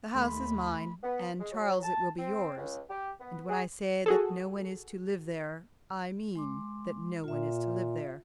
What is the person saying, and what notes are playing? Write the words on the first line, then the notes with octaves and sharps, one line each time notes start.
The house is mine--and, Charles, it will be yours--and when I say that no one is to live there, I mean that no one is to live there.
D#2 A3 B5 C6
B3
G#3
F#3
A5
C4
C#2
G4
B3
G#4
F#4 G#4 A4
G#3 C6 D6
A#2 F4 E5